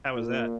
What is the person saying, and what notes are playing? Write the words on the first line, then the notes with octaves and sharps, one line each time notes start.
How was that?
A#2